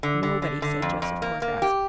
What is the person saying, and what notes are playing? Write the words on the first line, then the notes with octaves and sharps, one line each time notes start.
"Nobody," said Joseph Poorgrass.
D3
D3
D3
D3
F2
F2
A#3
A#3
G4